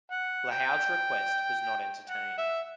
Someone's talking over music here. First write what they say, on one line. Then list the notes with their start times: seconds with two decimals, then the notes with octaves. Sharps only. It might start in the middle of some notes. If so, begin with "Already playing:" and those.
Lahoud's request was not entertained.
0.12 F#5
0.51 G5
2.10 F#5
2.38 E5